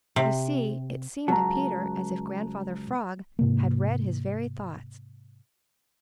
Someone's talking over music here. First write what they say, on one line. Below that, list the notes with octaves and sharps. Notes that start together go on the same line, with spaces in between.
You see, it seemed to Peter as if Grandfather Frog had read his very thoughts.
C3
C#2 F#3 A5 A#5
G#2 C3 A#3